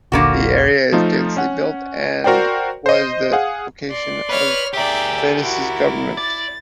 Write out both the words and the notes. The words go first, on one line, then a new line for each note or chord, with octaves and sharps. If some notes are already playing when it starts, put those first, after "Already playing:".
The area is densely built and was the location of Venice's government.
D#1 A#1 D3 A#3 F#4
F3 A3 D#4 F4
C#4 F#5
F#4 A#4 C5 D5 G5
C5 D#5
G#4 F5 F#5
D5 C6
B4 C#5 F6
G4 G#4 A#4 D5 E5 G5
E4 F#4
D5 A6